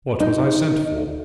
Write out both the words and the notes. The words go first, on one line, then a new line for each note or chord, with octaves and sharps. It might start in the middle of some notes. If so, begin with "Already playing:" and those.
"What was I sent for?"
D#4